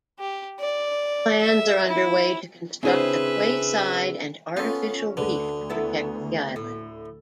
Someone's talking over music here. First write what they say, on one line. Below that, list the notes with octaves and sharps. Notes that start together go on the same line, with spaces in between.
Plans are underway to construct a quayside and artificial reef to protect the island.
G4
D5
E5
E4
C#3 C4 D4 E4 G#4 B4 C5 E5
B3 C#4 F4 A4
D2 D3 B4
B3 E4 A4
A2